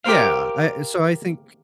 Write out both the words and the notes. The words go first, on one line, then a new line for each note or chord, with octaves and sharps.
Yeah. I so I think
G4 A#4 C5 F5